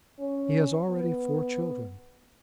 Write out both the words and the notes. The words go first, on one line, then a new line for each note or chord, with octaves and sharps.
He has already four children.
C#4
B3